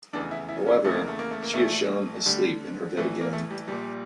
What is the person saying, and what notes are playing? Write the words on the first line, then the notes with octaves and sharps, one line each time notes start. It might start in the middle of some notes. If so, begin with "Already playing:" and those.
However, she is shown asleep in her bed again.
F1 E2 C#3 E3 D4
E4
E4
C#4
F1 E2 C#3 E3 A3
A#3
A3
A#3
A3
A#3
A#1 A2 E3 A3
D2 D3 G3
A#1 A2 E3 A3
A#3
A3
G3
A#1 A#2 G3